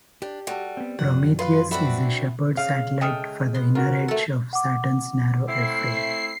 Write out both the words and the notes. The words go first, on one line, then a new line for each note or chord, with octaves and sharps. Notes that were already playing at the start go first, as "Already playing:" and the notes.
Prometheus is a shepherd satellite for the inner edge of Saturn's narrow F Ring.
D4 G4
G3 F#4 A4
B3 C4
F#2 F3 F#3 F#5
F4 B4 C6
C4 D4 F#4 E5 F#5 B5
C#3 F5
G#3 A4 E5 G5 D#6 F6
B3 C6
F4 F#4 A#4
A3 A4
F#5 D6
A3 C4 E4 C7